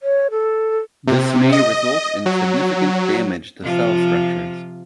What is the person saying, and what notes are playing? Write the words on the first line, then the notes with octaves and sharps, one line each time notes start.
This may result in significant damage to cell structures.
C#5
A4
C3
D#5
F#3
C3 F3 F4